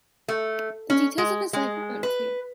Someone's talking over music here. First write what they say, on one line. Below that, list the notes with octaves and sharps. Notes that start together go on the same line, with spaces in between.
The details of his life are unclear.
A3
C#4
G#3
G#3
B4